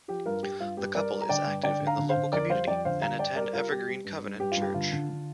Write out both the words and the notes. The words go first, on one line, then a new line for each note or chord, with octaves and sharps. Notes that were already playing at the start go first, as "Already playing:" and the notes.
The couple is active in the local community, and attend Evergreen Covenant Church.
F3 G4
G2 F4 A#4
G2 G4
G2 F4
G2 G4
G3 A#4 D5
G3
A#5
D3 D5 G5
G2
D3 D5 G5
D3
F5 A#5
D3
C5 F5
D3
F2 A#4 D5
G3 C5 F5
F2 D5 G5
D3 C5 F5
G3 F5 A#5
G2 D5 G5
G3 A#4 D5
G3 F4 A#4
G3 G4
G3
G2
G2
G2 G4
G2 F4
G4
D3 F4
D3
D3